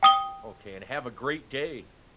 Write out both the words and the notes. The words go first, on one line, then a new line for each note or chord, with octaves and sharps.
Okay, and have a great day.
G5 D#6 G7